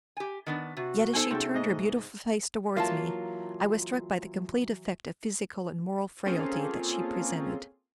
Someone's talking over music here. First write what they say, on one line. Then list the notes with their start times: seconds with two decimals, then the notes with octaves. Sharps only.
Yet, as she turned her beautiful face towards me, I was struck by the complete effect of physical and moral frailty that she presented.
0.17 G4 G#5
0.46 D#3 B3 D4
0.77 C3 F#4
1.14 B3 D#4 A4 C5 G#5
1.31 C3 C#4 D#4 F#4 G#4 A4 G5
1.54 G#2 A3 D#5
2.76 E3 F#3 A#3 F4 A5
6.26 A#3 C4 C#4 F4 G#4 A4